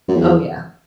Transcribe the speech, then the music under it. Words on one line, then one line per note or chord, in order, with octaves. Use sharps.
Oh yeah.
F#2
E2